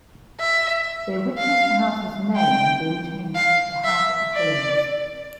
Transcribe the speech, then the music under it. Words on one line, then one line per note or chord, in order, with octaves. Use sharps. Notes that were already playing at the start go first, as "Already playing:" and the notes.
They witness the House's name being changed to the House of Villains.
E5
F5
G5
F5
E5
D5